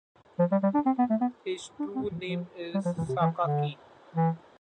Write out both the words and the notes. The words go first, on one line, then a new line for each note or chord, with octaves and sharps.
His true name is Sakaki.
F3
G3
G3
D4
C4
B3
A3
B3
D4
C4
E3
F3
G3
F3
E3
C3
E3
D3
E3